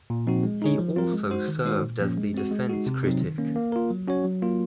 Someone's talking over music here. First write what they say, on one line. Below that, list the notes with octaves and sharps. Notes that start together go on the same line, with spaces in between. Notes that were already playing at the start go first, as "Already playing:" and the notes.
He also served as the defence critic.
A#2
F3 C4 D#4 F#4
G#3
D#4 G#4 C#5
F3
C4 F4 A#4
G#3
D#4 F#4 C5
D#3
G#3 D#4 F#4 C5
A#2
F3 A#3 C#4
G#3
C4 F#4
G#3
D#4 F#4
C3
F#3 C4 D#4
D#3
A#3 C#4
A#3
F4 A#4
F#3
C#4 F#4 C#5
F#3
A#3 F4